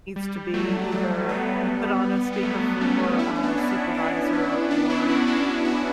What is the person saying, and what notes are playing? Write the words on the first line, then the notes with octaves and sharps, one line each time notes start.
needs to be either put on a speaker for a supervisor or
G3
F#3 A3
G3
F#3 A3
G3 B3
B3
F#3 A3
A3 C#4
E4
D4
C#4
B3 D4
C#4 E4
B3 D4
B3 D4
B3 D4
C#4 E4
D4 F#4
D4 F#4
D4 F#4